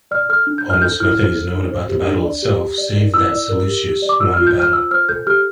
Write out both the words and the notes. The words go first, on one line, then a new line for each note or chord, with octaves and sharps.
Almost nothing is known about the battle itself save that Seleucus won the battle.
D5 F6
A4 F6
D4
G6
C5 F6
A4 G6
E4 F6
C5
A4
D4
C5
G4
D4
D5
G4
G4
D5
A#4
E4 E6
D5
A#4
G4
G4
D5
D6
F4 E6
F4 F6
G6
C5 F6
F4 E6
C5 F6
A4 G6
G4 F6